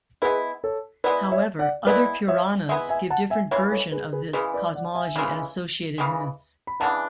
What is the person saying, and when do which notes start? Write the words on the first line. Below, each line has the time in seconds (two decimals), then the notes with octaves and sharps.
However, other Puranas give different version of this cosmology and associated myths.
0.22 G#3 B3 E4 G#4 B4
0.64 A4 C#5
1.04 G#3 B3 E4 B4 D5
1.32 C#5 E5
1.59 D5 F#5
1.86 G#3 B3 E4 B4 D5
2.28 C#5 E5
2.69 G#3 B3 E4 E5 G#5
2.89 E5 G#5
3.10 F#5 A5
3.30 E5 G#5
3.51 C#3 E3 G#3 C#5 E5
3.72 A4 C#5
3.92 G#4 B4
4.12 G#4 B4
4.33 C#3 E3 G#3 G#4 B4
4.54 B4 D5
4.74 D5 F#5
4.95 E5 G#5
5.16 C#3 E3 G#3
5.98 C#3 E3 G#3
6.67 B5
6.80 C#3 E3 G#3 D4 F#5 A5